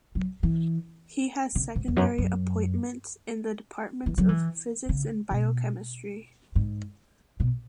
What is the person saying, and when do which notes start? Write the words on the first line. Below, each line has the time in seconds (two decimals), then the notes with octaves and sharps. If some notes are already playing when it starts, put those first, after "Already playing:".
He has secondary appointments in the departments of Physics and Biochemistry.
0.15 F#3
0.43 E3
1.55 C#3
1.75 G#2
1.88 E2
1.96 F#2
2.18 F#2
4.06 E3
4.18 F#3
4.29 E3
4.89 C#3
5.31 B2
6.55 G#2
7.40 B2